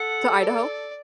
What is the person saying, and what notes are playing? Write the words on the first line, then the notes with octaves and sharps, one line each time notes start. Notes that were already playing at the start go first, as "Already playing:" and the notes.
To Idaho?
Already playing: A4 F#5
D5